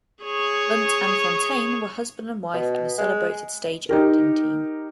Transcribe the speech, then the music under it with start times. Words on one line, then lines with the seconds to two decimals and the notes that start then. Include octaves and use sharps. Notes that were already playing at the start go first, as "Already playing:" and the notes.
Lunt and Fontanne were husband and wife and a celebrated stage acting team.
0.23 G#4 C#5
2.54 B2
2.98 G#3
3.89 D#4 G4 A#4